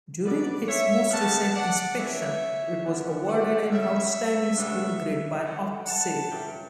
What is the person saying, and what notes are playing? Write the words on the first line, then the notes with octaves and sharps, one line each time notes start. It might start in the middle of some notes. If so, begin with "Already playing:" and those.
During its most recent inspection it was awarded an Outstanding school grade by Ofsted.
B2 G3 B3 D4 B4 D5
C#5 E5
C#3 G3 B3 D4 F#5 A5
D5 F#5
C#3 E3 G3 B3 D4 C#5 E5
C#3 E3 G3 B3 D4 D5 F#5
D5 F#5
C#3 G3 C#4 C#5 E5
C#3 G3 B3 D4
F#2 D3 A3 D5 F#5
F#5 A5
G2 F#3 C#4 E5 G5